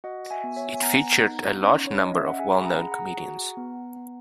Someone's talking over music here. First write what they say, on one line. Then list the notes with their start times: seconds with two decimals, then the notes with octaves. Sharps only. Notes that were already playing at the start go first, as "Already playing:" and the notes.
It featured a large number of well known comedians.
0.04 F#4 D#5 F#5
0.31 E5 G#5
0.44 B3
0.56 C#5 E5
0.74 G#5
0.82 B3 F#5 A#5
1.22 D#4
1.61 C#4
1.87 C#5
2.00 C#4 D#5
2.14 E5
2.26 F#5
2.39 G#4 E5 G#5
2.60 B5
2.65 F#5 A#5
2.79 G#4
2.92 F#5 A#5
3.18 F#4
3.57 B3
3.96 B3